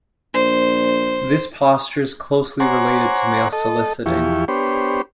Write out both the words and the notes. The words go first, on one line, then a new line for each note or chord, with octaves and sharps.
This posture is closely related to male soliciting.
A#1 C5
C5 C#5 F#5 G#5 A#5 D6
A4 D#5
E2 F3 E4 G4 C#6
B3 D4 G4 C5 C#5